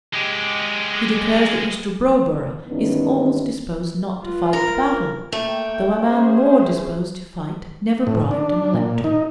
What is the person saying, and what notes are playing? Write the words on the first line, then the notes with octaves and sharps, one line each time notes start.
He declares that Mr. Browborough is almost disposed not to fight the battle, though a man more disposed to fight never bribed an elector.
G#3 G4
G2 D#3 E3 B3 C#4 D4
F4 B4
A#4
A3 A#3 G5
C#4 G#4 C5
A2
D4
A#2
D#4